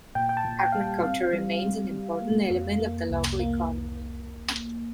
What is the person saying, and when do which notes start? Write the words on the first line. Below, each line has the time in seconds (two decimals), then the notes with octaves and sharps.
Agriculture remains an important element of the local economy.
0.15 A#2 G5
0.29 G5
0.37 A5
0.45 A#2
0.60 G5
0.72 G3 F5
0.81 G5
1.03 C4 F5
1.33 G3
1.62 C4
1.91 G3
2.21 A#3
2.50 F2
2.80 A#3
3.10 C2
3.39 A#3